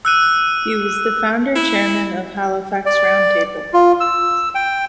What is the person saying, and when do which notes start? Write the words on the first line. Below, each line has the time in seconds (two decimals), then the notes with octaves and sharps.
He was the founder Chairman of Halifax Round Table.
0.05 E6 F#6 D#7
1.56 E4
2.86 D5
3.74 F4
4.00 E6
4.55 G5